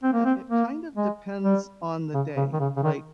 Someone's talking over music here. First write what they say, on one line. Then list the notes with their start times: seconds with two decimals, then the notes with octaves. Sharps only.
Yeah, it kind of depends on the day, like,
0.03 C4
0.13 A#3
0.25 C4
0.50 A#3
0.96 G#3
1.43 G3
2.14 C#3
2.37 C#3
2.53 D#3
2.60 C#3
2.77 C#3
2.83 D#3